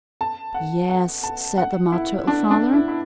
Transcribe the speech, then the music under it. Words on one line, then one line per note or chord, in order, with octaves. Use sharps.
"Yes," said the Mud Turtle Father.
A5
F#5
F#5
A5
F#5
E4
D4
D4
E4
E4